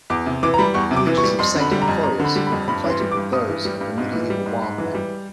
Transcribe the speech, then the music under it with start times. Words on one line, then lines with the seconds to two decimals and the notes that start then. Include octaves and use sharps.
Images of Saint Onuphrius were conflated with those of the medieval "wild man".
0.10 E2 D6
0.26 C3
0.43 E3 D6
0.54 A#5
0.58 G3 B5
0.74 E2 C#6
0.91 C3
0.96 D6
1.07 E3
1.18 C#6
1.23 G3
1.39 F2 C6
1.55 D3
1.61 B5
1.71 G3
1.82 A#5
1.88 F2
2.03 F2 A#5
2.20 D3
2.25 B5
2.36 G3
2.47 B5
2.52 F2
2.68 G2 B5
2.84 E3
2.90 C6
3.00 G3
3.11 D6
3.17 G2
3.32 G2 D#6
3.48 E3
3.65 G3
3.81 G2
3.98 G#2
4.13 E3
4.30 G3
4.46 G#2
4.62 G#2
4.78 E3
4.94 G3